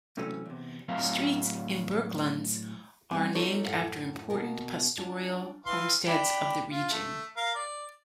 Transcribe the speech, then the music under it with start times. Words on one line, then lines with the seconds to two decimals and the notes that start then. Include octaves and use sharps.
Streets in Bourkelands are named after 'Important pastoral homesteads of the region'.
0.17 G#2 C3 E3 F#3 A3 C#4
0.46 E2 C3
0.88 A2 F#3 C4 E5 F5 A#5
3.11 G3 B3 C4
3.34 D#4 F4 G4 A4 C#5
3.63 F#2 A2 F5 F#5
4.30 B2 A#4
4.98 C#4 D4 F4
5.66 E3 F5 C6
6.07 D4 G4 B5
6.73 F4
6.91 A3
7.37 A#4 F5
7.55 D5